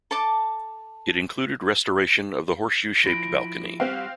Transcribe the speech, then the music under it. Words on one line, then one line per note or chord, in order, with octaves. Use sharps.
It included restoration of the horseshoe-shaped balcony.
A4 A5 D6
F3 E4 A#6 D7
G3 C4 F#4 G4 F5